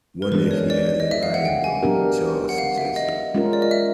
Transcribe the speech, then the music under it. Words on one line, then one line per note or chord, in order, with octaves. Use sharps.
Wonder if he's a lion dog, Charles suggested.
A#4
E3 G#3 B3 D4 B4
C#5
D5
D#5
E5
F5
F#5
G5
G#5
F#3 B3 D4 G4 A#4
F#5
F5
E5
D#5
G#3 C#4 F4 A#4
D5
D#5
E5